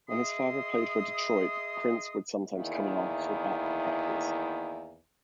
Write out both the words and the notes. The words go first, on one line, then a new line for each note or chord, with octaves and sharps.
When his father played for Detroit, Prince would sometimes come along for batting practice.
G#4 D#5 E5 C6 D#6
E2 D#3 A#3 E4